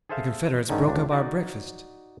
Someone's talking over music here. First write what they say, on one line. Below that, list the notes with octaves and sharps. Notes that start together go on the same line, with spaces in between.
The Confederates broke up our breakfast.
G#4 A4 C5 E5 F5 G#5
G#2 D3 D#3 C#4
C#2 D4
D#4 F#4 D5